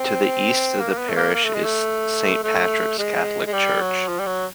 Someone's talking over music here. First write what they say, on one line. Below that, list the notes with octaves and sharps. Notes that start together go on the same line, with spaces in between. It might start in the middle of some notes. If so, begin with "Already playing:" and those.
To the east of the parish is Saint Patrick's Catholic Church.
Already playing: C4
A#3
B3
A3
A#3
A#3
A3
G#3
A3
A3
G#3
G#3
G3
F#3
F3
G3
F#3